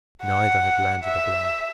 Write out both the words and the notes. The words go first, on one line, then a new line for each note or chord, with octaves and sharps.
Neither had landed a blow.
F#5
E5